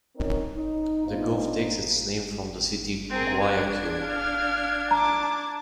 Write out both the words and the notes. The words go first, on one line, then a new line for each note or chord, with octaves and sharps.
The gulf takes its name from the city of Guayaquil.
C4 C#4 D#4 A#4 C#5
D#4
B3 D4 D#4 F4 C5
C4 G#4 A#4
D4 G#6
F5 F6
A5 A#5 D6